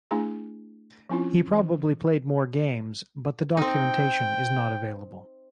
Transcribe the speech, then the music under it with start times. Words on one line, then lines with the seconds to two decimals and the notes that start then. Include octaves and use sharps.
He probably played more games but the documentation is not available.
0.11 A3 D4 E4 G#4 G#5 A#5
1.09 F3 C4 C#4 E4 F4
1.51 E3
3.57 C4 D#4 G5